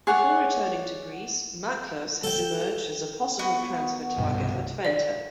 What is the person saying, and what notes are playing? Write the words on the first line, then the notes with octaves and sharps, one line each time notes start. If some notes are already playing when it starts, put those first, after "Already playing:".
Before returning to Greece Machlas has emerged as a possible transfer target for Twente.
G#4 C#5 D5 F#5
A4 G5
B3 F#4
C2 G2 B2
D5